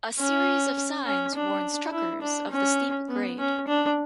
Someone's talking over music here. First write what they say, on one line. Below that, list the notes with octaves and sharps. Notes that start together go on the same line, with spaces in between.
A series of signs warns truckers of the steep grade.
C#4
C#4
D4
E4
D4
C#4
B3
C#4
D4